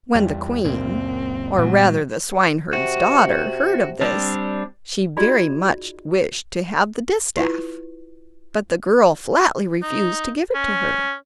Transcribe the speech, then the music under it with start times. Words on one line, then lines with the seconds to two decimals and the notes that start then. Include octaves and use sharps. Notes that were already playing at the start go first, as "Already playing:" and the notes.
When the queen--or, rather, the swineherd's daughter--heard of this, she very much wished to have the distaff, but the girl flatly refused to give it to her.
0.15 E2 G3
0.65 C#2 F#2 A#2 C4
1.58 F#1 A#2 F#3 G#3 B3
2.73 C3 F#4
4.01 G3 C4 D4
5.17 D#4 F4 F#4 G#4 D5 D#5
7.37 E4 F4 B4
9.83 D#4
10.55 C#4